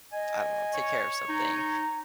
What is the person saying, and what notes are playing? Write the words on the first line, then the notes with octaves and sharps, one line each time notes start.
I don't know, take care of something,
D#5 G#5
C#5
D#4 A#5